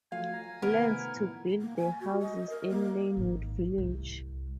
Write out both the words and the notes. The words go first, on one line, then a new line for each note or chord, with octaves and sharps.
Lands, to build the houses in Lynwood Village.
F3 F#3 A3 F5 G#5
A#5
C3 D#3 A3 B3 A#4
A#2 E3
A#3
G#5
F#4
D#5
A#4
A#3
G#1
C2